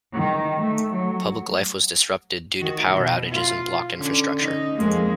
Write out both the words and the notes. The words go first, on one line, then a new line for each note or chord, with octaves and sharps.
Public life was disrupted due to power outages and blocked infrastructure.
D#3
A3
F#3
D#3 F#4
B2
F4
D3 C#4
C#4 D#4
F2 G#3 A#3